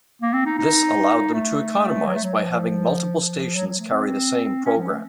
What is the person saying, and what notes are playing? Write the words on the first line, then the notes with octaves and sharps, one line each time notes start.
This allowed them to economize by having multiple stations carry the same program.
A#3
C4
D#4
D#4
A3
F#3
A3
F#3
F3
F3
F#3
F#3
A3
C4
C#4
F3
A3